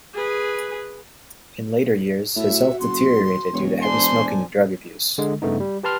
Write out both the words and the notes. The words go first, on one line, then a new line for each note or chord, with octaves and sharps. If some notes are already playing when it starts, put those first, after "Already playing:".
In later years, his health deteriorated due to heavy smoking and drug abuse.
G#4 B4
A2 F#4 E5
F#1 C6
E1 C#5
D4 C5 G#5 C6
D3 G#3
G2 C#3 A3 B3 D#4
G3
G4 B4 A5 C6 F6